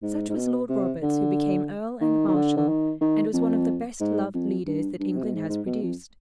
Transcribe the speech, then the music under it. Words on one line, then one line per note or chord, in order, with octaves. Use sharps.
Such was Lord Roberts who became Earl and Marshal, and was one of the best-loved leaders that England has produced.
G#2
G#2
B2
C3
D3
D#3
D#3
D3
D3
D#3
D#3
F2
G#2
F2
G2
G2
C3
B2
G#2
G#2
B2
F2